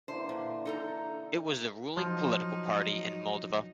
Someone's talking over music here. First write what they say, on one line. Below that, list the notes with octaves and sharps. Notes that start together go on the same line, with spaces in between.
It was the ruling political party in Moldova.
D3 E3 A#3 C5
A#2
D#4 A4 A#5
F3 F#3 D#4